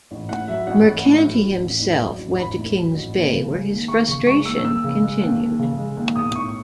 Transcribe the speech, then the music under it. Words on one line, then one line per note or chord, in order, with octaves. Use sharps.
Mercanti himself went to Kings Bay where his frustration continued.
A1
A2 F#5
F#3 E5
A1 F#5
A1
A2
F#3
A1
A1
A2
F#3
A1
A1 B5
A2
F#3
A1
D#2
C#3
G#3
D#2
D#2 C#6
C#3 C#6
G#3 C#6
D#2 E6
D#2 E6
C#3
G#3
D#2
D#2
C#3
G#3
D#2
B1 D#6
A2 C#6